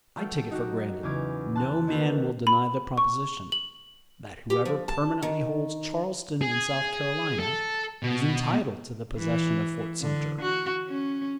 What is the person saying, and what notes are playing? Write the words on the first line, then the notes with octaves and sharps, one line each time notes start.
I take it for granted, no man will deny the proposition, that whoever permanently holds Charleston and South Carolina is entitled to the possession of Fort Sumter.
F#3 A3 A4 G5 F6
D#4 F#4 G4
E2 C#3 C#4 D6 F6 G#6
A5 C6 F#6
D#3 A#3 B3 F#4 G4 A4
B5
C#6
F#7
G4
F3
A5
D#3
G#4
A4
B2
E3
D3
F#4
C#4